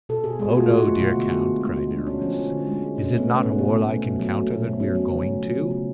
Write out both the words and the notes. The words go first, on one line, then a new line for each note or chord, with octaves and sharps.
"Oh, no, dear count!" cried Aramis, "is it not a warlike encounter that we are going to?"
B2 A4
B2 G#4
G#3 G#4
F#4
A3 F4
B2 F#4
A3
B2
D3
D3
D3
G#3
D3 F#4
G#3 D4
D3 C#4
F3 C#4
D3
D3
G#3
D3
B2 C#4
A3
B3
A3
C#4
B2
B2
A3
B2
B2
F#3
A3
B2
B2
F#3 C#4
F#3
C#3
A3
F3
C#3
C#3